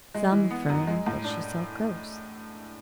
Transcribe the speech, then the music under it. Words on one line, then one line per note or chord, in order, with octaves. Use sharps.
Some affirm that she saw ghosts.
G#3
E3
B3
F#2
G#3
A2
D4